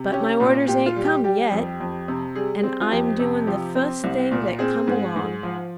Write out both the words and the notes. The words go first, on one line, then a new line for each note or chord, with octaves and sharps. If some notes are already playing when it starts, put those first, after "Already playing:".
But my orders ain't come yet, and I am doing the fust thing that come along.
Already playing: C3
C#4 G4
A#2
A#2 G4
F4
G3
G4
G3 G4
F2
F2
C3
G3 G#4
C4
F4
F2 G4
C3
F3 G4
C4
C2
A#2
C4 G#4
G#2
G#2
F3